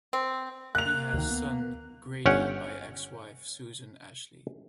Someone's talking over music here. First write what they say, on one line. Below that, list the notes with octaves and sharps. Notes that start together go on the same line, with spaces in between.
He has son, Grady by ex-wife Susan Ashley.
C4
A#3 F#6 F7
D2 D#3
B3
G1 C#4 C#5 F#5 G5